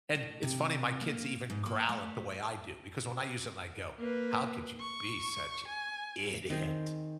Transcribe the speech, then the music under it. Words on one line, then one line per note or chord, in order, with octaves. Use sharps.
and it's funny my kids even growl at the way I do, because when I use it and I go, "How could you be such an idiot?"
A2
C3
A#3
G#2
A#3
A3
A#3 B4
C#6
G#5
D#3 C4 G#4 C5